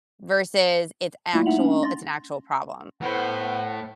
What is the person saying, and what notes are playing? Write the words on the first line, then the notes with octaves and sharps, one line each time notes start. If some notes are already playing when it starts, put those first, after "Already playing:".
versus it's actual it's an actual problem.
G3 A3 A#3 E4 F4
D#4 E4 E5 F#5 F7 F#7
C#4 D4
C6 A6 A#6
A2 B3 B4 C5 F#5